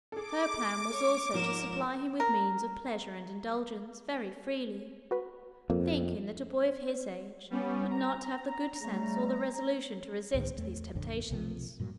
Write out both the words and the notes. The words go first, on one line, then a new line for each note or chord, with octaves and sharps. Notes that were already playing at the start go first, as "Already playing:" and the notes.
Her plan was also to supply him with means of pleasure and indulgence very freely, thinking that a boy of his age would not have the good sense or the resolution to resist these temptations.
G#4 A4 D6
C#5
G#2 F3 A#3 A#4 E7
A#4
F#4 B4 B5
F2 A#3
G3 B3 C#4
A#5
C#3 G3 A3
C#2 A2 D#3
E2 A3
A#1 F#2 D3
B1 C3 F3
G2 A#2 F#3